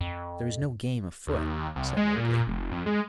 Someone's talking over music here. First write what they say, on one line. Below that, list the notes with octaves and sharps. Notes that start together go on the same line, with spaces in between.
"There is no game afoot," said Mowgli.
F2
D#2
C2
G#3
A#2
F1
F2
G#3